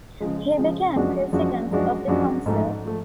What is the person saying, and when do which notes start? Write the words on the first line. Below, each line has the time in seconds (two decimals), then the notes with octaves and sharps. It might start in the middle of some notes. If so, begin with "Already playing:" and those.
He became president of the council.
0.20 C#3 F3 G#3
0.57 C#3 F3 G#3
0.96 F#2 F3 G#3 D4 F#4
1.33 F#2 F3 G#3 D4 F#4
1.71 F#2 F3 G#3 D4 F#4
2.08 F#2 F3 G#3 D4 F#4
2.46 G#2 F3 A3
2.85 F3 A3